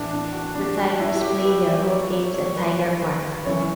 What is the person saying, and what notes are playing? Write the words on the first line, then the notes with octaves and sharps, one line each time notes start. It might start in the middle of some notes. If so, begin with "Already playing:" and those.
The Tigers play their home games at Tiger Park.
Already playing: A2 E3 D4
D4
F#4
D4
F#4
E4
G4
B4
D5
C#5
C#5
C#5
B4
B4
F#2 C#3 E3 C#5